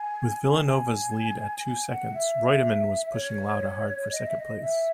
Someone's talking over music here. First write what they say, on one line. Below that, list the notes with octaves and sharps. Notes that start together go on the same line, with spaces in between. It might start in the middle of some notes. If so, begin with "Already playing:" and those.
With Villeneuve's lead at two seconds, Reutemann was pushing Lauda hard for second place.
Already playing: G#5
G#5
G#5
F#5
E5
C#5
D#5
E5
D#5
E5